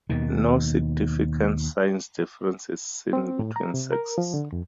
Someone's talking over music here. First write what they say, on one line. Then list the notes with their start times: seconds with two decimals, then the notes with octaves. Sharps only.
No significant size difference is seen between sexes.
0.10 D#2 B2 D#3
3.13 C4
3.39 A2
3.56 A#5
3.74 C3
3.92 A#4
4.18 F3
4.34 D3
4.52 F2